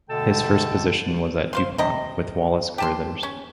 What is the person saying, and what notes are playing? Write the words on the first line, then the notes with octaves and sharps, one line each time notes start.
His first position was at DuPont with Wallace Carothers.
B2 D3 A3 A4 G5 A5
C5 F5 C6
C3 D#5
G4 A5 C6
C#4